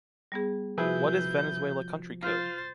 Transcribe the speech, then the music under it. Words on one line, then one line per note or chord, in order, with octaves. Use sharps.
What is Venezuela country code?
G3 B3 G#4
C3 F3 E4 F#4 G#4 B4 G6
F4 C5 A6